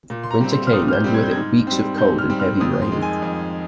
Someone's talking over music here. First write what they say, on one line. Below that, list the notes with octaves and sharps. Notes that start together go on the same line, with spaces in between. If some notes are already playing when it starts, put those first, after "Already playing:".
Winter came, and with it weeks of cold and heavy rain.
A#2
C6
A#5
G3 C4
C6
F6
A#2 D#6
F6
G6
G3 C4
G#6
G6
G#2 G#6
G3 C4
G#2 G6
F6
G3 C4
F6
F2 D#6
C6
D#3 G#3
G#5
F2